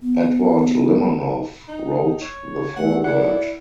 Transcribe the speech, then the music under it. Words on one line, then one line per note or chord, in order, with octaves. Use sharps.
Edward Limonov wrote the foreword.
B3
D#4
C#5
A3 F#5
E4 D5 F#5